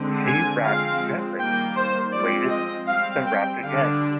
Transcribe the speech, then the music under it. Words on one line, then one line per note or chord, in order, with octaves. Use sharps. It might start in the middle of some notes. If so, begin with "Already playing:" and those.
She rapped gently, waited, then rapped again.
Already playing: D3 G#3 C4
G#5
F3 G#3 C4 F5
D#3 G3 A#3 G5
C5
F3 G#3 C4 D5
D#5
G3 C4 F5
G5
D3 G3 D4 F5